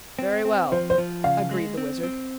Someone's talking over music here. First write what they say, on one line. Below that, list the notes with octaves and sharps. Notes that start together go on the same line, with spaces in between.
"Very well," agreed the Wizard.
C4
C4
F3 C5
C5
F3
C#3 F5
G#3
C4
C4